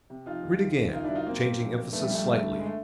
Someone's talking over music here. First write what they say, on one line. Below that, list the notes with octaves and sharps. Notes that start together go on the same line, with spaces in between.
Read again, changing emphasis slightly.
C3
F3 D#4 F4
D#2
D#2
D#2
F#1 D#4 F4
D4 E4
F#3
D#4 F4
F#3 A#3 C4
F#3
A#1
A#1
A#1 A3 B3
G3 A3
A#1
G3 A3
G1
D3
G#3
A3